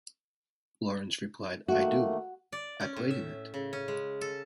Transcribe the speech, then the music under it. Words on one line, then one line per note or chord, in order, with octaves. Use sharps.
Lawrence replied I do, I played in it.
D#3 A3 A#3 F#4
D5
C#4
A2
E5
C#3
C#4
G#3
A4